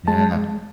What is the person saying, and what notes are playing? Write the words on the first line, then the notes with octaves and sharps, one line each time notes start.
Yeah, no
G#3 A5